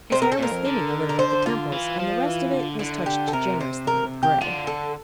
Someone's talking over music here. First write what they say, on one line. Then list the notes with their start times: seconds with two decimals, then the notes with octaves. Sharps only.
His hair was thinning a little at the temples and the rest of it was touched generously with grey.
0.11 C3 C5
0.22 A#4
0.32 A4
0.38 A#2 A#4
0.52 F2
0.65 D3
1.09 A#4
1.19 C5
1.46 F4
1.72 E3
2.00 F3
2.26 E3
2.53 D3
2.79 D3 E4
3.06 G4
3.28 A4
3.33 C3 A#4
3.60 C5
3.87 A#4
4.23 G4
4.41 D3 F4
4.67 A4